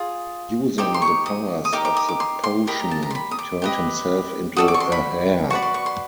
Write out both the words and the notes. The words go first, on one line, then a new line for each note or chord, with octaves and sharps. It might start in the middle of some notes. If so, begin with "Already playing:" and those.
Using the powers of the potion he turned himself into a hare.
Already playing: F4 G#4
D#4 G4 C5 D6
C6
C#6
D#6
D#6
D#4 G4 A#4 D6
D6
D#6
D6
C6
C6
G4 A#4 D#5 B5
A#5
A5
A#5
C6
B5
D#6
D6
G4 B4 D#5
F#4 A4 D5 D#6
D6
C#6
C6
B5
F#4 B4 D5 C#6
C6
C#6
C6